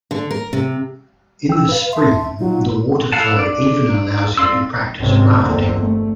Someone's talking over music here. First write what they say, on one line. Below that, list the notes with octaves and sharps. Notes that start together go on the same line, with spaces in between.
In the spring the water flow even allows you to practice rafting.
D3
A#4
C3
G5 E6
B4 F5
E5 A5 C6
A#2 F#3 D#4 F4
E4 A4 F5 F#5 A5
D4 D5
C4 D5 F5 C6 E6
G#1 G#2 C3 C4 C#4
G1 E2 D3 A#3 C4
A3